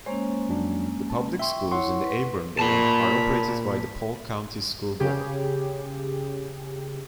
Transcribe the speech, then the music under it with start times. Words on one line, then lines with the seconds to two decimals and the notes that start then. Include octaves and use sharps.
The public schools in Auburndale are operated by the Polk County School Board.
0.06 G#3 A#3 C#4 C5 C#5
0.49 F2 F#3 D4
1.10 A5
1.39 E5 G5 C6 C#6
1.71 E4 C#5 F#5 C6 C#6
2.04 B4
2.59 A#2 A5 B5
5.00 C#3 G4 G#4